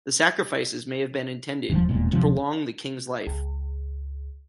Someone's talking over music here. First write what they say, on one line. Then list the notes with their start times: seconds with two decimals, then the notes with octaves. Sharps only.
The sacrifices may have been intended to prolong the king's life.
1.69 D#1 B2 F3
1.89 E1 A#2
2.12 D1 C3 F3
3.27 C#2